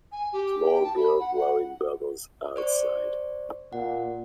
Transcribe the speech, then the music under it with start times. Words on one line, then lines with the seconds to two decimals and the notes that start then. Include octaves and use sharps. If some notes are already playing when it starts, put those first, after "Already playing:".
Small girl blowing bubbles outside.
0.11 G#5
0.32 G4
0.63 G5
0.83 A5
0.96 B5
1.19 F#5
1.35 F#5
2.56 C5 D5 C#6
3.73 A#2 F#5